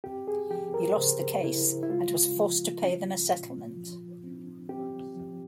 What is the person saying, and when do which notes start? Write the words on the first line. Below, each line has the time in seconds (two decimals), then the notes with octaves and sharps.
He lost the case and was forced to pay them a settlement.
0.04 C4 G4
0.28 G#4
0.50 F3 G4
0.74 A#4
0.97 C#3 C5
1.44 C#3 E4
1.83 E4
1.90 G#3 F4
2.36 F3
2.83 C#4
3.30 A#2
3.77 F3
4.24 C4
4.69 C4 G4
5.16 F3